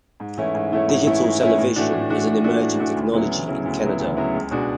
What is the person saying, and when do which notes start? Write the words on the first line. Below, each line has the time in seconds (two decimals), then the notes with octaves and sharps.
Digital television is an emerging technology in Canada.
0.20 G#2
0.38 E3 A3 C#4 E4
0.55 G#2
0.72 E3 A3 C#4 E4
0.89 G#2
1.06 E3 A3 C#4 E4
1.24 G#2
1.41 E3 A3 C#4 E4
1.58 A2
1.76 E3 A3 D4 F#4
1.93 A2
2.10 E3 A3 D4 F#4
2.27 A2
2.44 E3 A3 D4 F#4
2.62 A2
2.79 E3 A3 D4 F#4
2.96 D2
3.13 C#3 F#3 B3 E4
3.31 D2
3.48 C#3 F#3 B3 E4
3.65 D2
3.82 C#3 F#3 B3 E4
4.00 D2
4.17 C#3 F#3 B3 E4
4.34 C#2
4.51 B2 G#3 D4 F#4